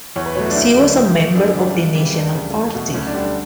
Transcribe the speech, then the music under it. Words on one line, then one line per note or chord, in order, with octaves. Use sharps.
She was a member of the National Party.
E2 C#5
B4
B2 F#3 A3 C#5
F#4
D4
D2 E4
D3 F#3 A3
A2
E3 A3
F#2 D4
C#3 E3 G3
C#2
C#3 E3 G3
D2 D4
C#3 G3
E2
B2 A3
D2 C#4
D4
D3 G3
D4